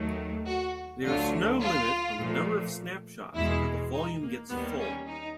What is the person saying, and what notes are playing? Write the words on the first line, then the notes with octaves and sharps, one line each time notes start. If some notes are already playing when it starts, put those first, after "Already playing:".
There is no limit on the number of snapshots until the volume gets full.
Already playing: D#2 D#3 F#3 A3
F#4
D2 D3 F#3 A3 F4
F4
A#2 F3 A3
E2 B2 G#3 E4
D#4
A#3
D#2 D#3 G3 A#3 B3
C#4
D#4